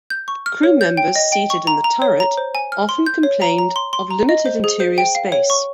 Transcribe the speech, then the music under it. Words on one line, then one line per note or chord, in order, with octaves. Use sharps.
Crew members seated in the turret often complained of limited interior space.
G6
C#6
F6
C#5
G6
G5
D#5
G5
C#6
A#5
A#5
C#5
A#5
C5
G#5
F6
C6
G6
C#5
A#5
A#5
C6
C6
A#5
D#5
C5
G#4
C5
G5
F5
C#5
C#6